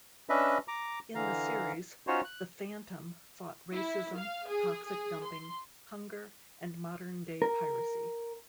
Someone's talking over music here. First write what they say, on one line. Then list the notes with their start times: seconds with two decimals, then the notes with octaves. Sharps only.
In the series, the Phantom fought racism, toxic dumping, hunger and modern-day piracy.
0.29 C#4 D4 B4 D#5 E5
0.68 A#5 D6
1.15 D3 E3 F5 A#5
2.07 C#4 D#4 F4 F#4 C5 C#5
2.24 F#6
3.72 E4
4.16 F5
4.48 G#4
4.86 G#4
5.24 C6
7.42 A#4